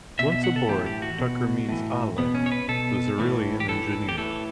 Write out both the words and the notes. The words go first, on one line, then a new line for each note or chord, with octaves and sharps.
Once aboard, Tucker meets Ah'len, the Xyrillian engineer.
B2 E5
E5
F#5
A4
A2 E3 G4
G4
F#4
B2
A2 E3
B2 B3
C#4
C#5
B4
B2 A4
A2 E3
G4
A2 E3 A4
G4
A2 E3 A4